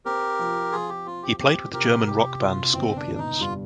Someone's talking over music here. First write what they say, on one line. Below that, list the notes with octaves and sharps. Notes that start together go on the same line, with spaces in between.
He played with the German rock band Scorpions.
C4 G4 A#4
F3
F3 F4 G#4
G4
C4 F4
G4
C4 G4
C3 G4 A#4
C3 G4
C3 F4
G1 C4
D4
G1
D#4
G2 F4